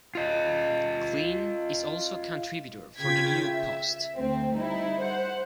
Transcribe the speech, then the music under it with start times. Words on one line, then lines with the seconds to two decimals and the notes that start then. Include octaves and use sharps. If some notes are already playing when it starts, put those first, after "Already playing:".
Klein is also a contributor for The New York Post.
0.15 F4 D#5
3.00 C#3 F4 G5 G#6 B6
3.50 E5
4.16 D2 C4
4.54 G3 D#4 E4
5.01 C5 F#5